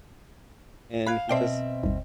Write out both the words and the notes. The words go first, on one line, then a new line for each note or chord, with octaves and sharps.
and he just
F5 B5 F#6 G#6
B2 C4 C5 D5 E5 G5
G1 D#2